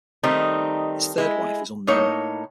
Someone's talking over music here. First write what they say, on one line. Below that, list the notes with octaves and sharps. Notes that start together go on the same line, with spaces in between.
His third wife is unknown.
D#3 G3 A3 C4 D#4
G#3 E4
A2 A#3 D#4 C#5